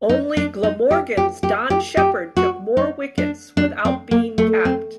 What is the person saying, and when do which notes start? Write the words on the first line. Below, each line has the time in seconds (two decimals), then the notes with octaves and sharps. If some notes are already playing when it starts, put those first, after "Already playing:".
Only Glamorgan's Don Shepherd took more wickets without being capped.
0.09 D#4
0.37 D4
0.63 D#4
0.91 G4
1.17 G4
1.43 G4
1.70 G4
1.97 G4
2.37 F#4
2.77 D#4
3.18 D4
3.57 D4
3.85 C4
4.11 A#3
4.38 A3
4.65 C4